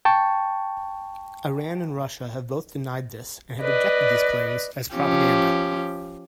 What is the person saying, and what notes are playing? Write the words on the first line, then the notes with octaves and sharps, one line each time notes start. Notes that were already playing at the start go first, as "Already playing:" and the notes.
Iran and Russia have both denied this and have rejected these claims as propaganda.
G5 A5 C#6
B4 D5 D#5
F3 C#4 G4